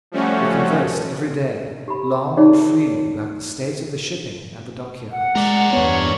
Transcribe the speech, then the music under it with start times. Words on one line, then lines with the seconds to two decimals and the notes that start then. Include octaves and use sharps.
They conversed every day long and freely about the state of the shipping and the dock-yards.
0.12 F3 G3 A3 C#4 F#4
1.88 G4 B5
2.37 D#4 F4 G#4 C#5 D5
5.12 F#5
5.35 G#3 A#4 D5
5.73 E2 G2 B3 C#5